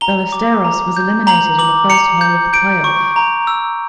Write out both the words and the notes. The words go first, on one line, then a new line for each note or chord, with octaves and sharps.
Ballesteros was eliminated in the first hole of the playoff.
A#5 G7
D6
A#5
G6
A#5 F#7
D6 F#7
A#5 C#7
G6
G6 D7
C#6
A#5
E6